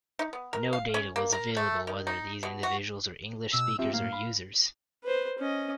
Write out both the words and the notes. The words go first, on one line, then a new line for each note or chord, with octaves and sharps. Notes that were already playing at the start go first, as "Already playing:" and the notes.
No data was available whether these individuals were English speakers or users.
D#4
B3
A#4
F5
C#4
A#3
A#4
A3
D#3
D#4
B2
F#4
B2 E6
C4 F4 G4 E5
A2 A#3 F5
B5
B4 C5
C#4 D#5